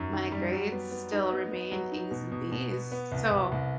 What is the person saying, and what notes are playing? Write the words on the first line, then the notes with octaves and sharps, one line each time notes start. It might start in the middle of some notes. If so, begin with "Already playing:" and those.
my grades still remain A's and B's, so
Already playing: F#2 D#3
D#3
G3
F#3
B3
B3
D#4
B3
B3
F#3
D#4
B2
B2
B2
B3
B3
C2
C2
C2